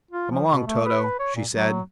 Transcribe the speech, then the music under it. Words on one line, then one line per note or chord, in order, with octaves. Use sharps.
"Come along, Toto," she said.
F4
F3
B2
A3
B4
C#5
A#2
F#3